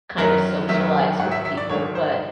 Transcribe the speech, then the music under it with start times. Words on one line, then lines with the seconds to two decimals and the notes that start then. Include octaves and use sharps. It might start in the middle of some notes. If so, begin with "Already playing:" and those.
kind of socialize with people, but
0.18 F#2 D#3 F#3 A#4
0.69 F#2 D#3 F#3 E5
1.19 G#2 D#3 F#3 F#5
1.32 E5
1.45 E5
1.57 D5
1.69 G#2 D#3 F#3 C#5
1.95 C5